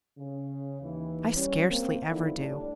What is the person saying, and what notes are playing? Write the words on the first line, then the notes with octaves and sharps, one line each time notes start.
I scarcely ever do.
C#3
D#2 E3
G3 C#4
A#3 C4
D3 D#3 F3 A#3 B3 E4
A2 G3 D4